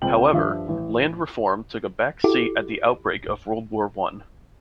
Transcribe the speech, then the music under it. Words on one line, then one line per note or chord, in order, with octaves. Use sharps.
However, land reform took a back seat at the outbreak of World War One.
C#2 C4 G5 F#7
G2 F3 G3 D4 E5
A1
E4 F#4 G4 A4 D6